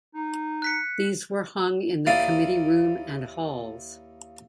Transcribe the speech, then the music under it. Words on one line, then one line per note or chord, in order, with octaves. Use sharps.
These were hung in the committee room and halls.
D#4
F#6 B6 C#7
D#2 A#3 E4 D5 F5 D#6